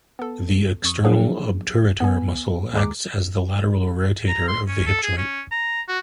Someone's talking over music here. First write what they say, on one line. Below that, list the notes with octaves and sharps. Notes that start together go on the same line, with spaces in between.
The external obturator muscle acts as the lateral rotator of the hip joint.
B3 A4
F2 C#6 D#6
F3 F#3 A#3 B3 D4 G#4
B3 G#5
D#2 G#3 G#4 A#5 D6
A#5
C6
C#4
A4
G#4
C#4
A#5
F#4